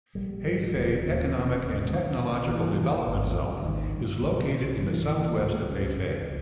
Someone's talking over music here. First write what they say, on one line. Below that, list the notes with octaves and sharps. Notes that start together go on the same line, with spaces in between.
Hefei Economic and Technological Development Zone is located in the southwest of Hefei.
A#1 G3
G#2
E1
D#2 C#3
E1
D#2 C#3
B1 D#3
A#2
B1 E3
A#2
G#1
G2
G#1 D#3
G2
B1
A#2
B1 E3
A#2
C#2
C#3
C#2